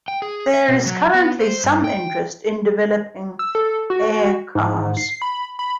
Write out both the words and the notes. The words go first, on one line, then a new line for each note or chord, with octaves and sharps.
There is currently some interest in developing air cars.
G5
G#4
E5
B2
F#3
B3
C5
G2
G5
E6
A4
F#4
G#2
C7
B5
B5